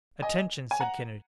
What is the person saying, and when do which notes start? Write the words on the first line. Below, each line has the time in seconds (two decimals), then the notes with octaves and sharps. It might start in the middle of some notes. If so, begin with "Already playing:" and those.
"Attention!" said Kennedy.
0.22 D#5 G#5
0.71 G#5
0.80 F#5 A#5